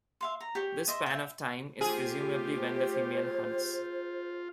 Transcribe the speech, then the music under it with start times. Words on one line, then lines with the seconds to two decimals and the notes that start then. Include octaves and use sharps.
This span of time is presumably when the female hunts.
0.21 E5 F5 C6
0.40 A#5
0.55 G4 C#5
0.87 D#5 E5 C6
1.06 E5 G5
1.81 A3 F4 G4 G#4 C5